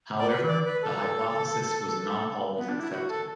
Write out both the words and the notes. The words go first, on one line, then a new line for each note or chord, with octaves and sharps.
However the hypothesis was not always accepted.
D5
B4
D5
B4
A4
B3
D4
E4
F#4
A4